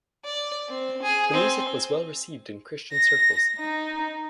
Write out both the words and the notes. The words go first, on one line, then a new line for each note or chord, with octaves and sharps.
The music was well received in Christian circles.
D5
C4
G#4
C4
A#6
D#4